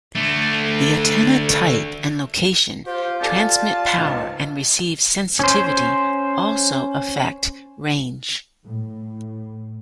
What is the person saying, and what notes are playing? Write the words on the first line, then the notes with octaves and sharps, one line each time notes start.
The antenna type and location, transmit power and receive sensitivity also affect range.
D3 A3
F4 G4 C5
G4 A4 D5 G#5 A5
C#2 G#2 D#5
C#4 C5
A2